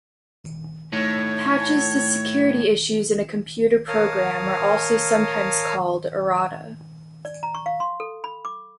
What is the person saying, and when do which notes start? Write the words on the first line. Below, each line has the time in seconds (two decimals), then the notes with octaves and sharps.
Patches to security issues in a computer program are also sometimes called errata.
0.92 A2 A3 D#4 E4 C#5
3.88 A#4 C#5 F5 A5 D#6 F6
7.25 D5
7.43 A#5
7.55 C#6
7.66 F5
7.80 C6
8.00 A4
8.24 B5
8.45 D6